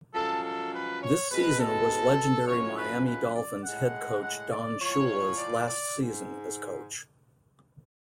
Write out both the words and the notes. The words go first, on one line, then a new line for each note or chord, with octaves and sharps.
This season was legendary Miami Dolphins head coach Don Shula's last season as coach.
F#2 F3 G#3 A4
A4
B4
C#5
B2 G#3 B4
A4
F#2 F3 G#3 C#5
B4
B4
D5
A2 G#3 F#5
F#5
D5
A2 F3 G#3 C#5
D5
D5
G#2